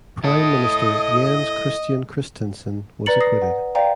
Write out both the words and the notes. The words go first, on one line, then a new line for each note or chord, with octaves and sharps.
Prime Minister Jens Christian Christensen was acquitted.
E4 A4 D#5 D#6
B4 D5 A#5 A6 C#7 F#7
D#6 A#6 C7
F#5
C5 D5 F5 G5 A#5